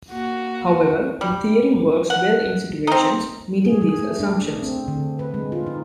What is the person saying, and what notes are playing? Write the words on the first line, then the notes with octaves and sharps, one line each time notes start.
However, the theory works well in situations meeting these assumptions.
A#3 F#4
G3
F#5
C4 D#4
G#4
G#4
A3
D4
C4
D3
B4
G#3
F4
D#4